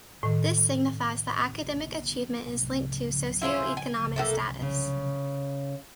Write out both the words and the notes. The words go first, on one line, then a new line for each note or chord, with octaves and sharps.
This signifies that academic achievement is linked to socioeconomic status.
A2 D#3
E4 F4 G#4 C5
G#5
A3 A#3 F#4 A4
C#3